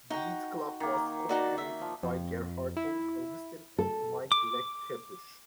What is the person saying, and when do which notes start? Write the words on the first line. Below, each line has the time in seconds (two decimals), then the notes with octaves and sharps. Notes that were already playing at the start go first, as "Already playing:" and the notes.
"Beat-Club" was co-created by Gerhard Augustin and Mike Leckebusch.
0.10 D#4 F#4 G5
0.80 D#3 A#3
1.29 D#4 F#4 D5
1.58 E5
1.81 F3
2.03 F2
2.77 E4
3.78 A4
4.32 D6